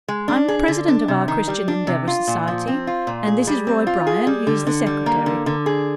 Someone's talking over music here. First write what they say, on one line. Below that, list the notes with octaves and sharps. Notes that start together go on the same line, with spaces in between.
I'm president of our Christian Endeavor Society, and this is Roy Bryan; he's the secretary.
G#3
D4
G#4
D3
D4
C3
D#3
G3
D4
C3
F4
A#2
F3
C4
F4
A#2
G#4
G3
C4
F4
G#4
G3
D3
D3
G3
A#3
D3
D3
G#4